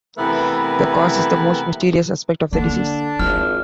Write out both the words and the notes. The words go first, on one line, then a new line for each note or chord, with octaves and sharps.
The cause is the most mysterious aspect of the disease.
C3 E3 A3 B3 E4 A#4
D3 A#3 D4
G#1 F4 F6